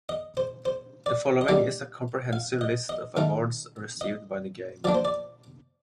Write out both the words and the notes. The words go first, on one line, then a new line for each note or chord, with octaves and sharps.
The following is a comprehensive list of awards received by the game.
D#5
C5
C5
D5
D#5
D3 G3 A#3 D#4 D5
F5
D#5
D#5
D#3 A3 D#4 F5
D#5
F3 A#3 D4 D5
C5
D5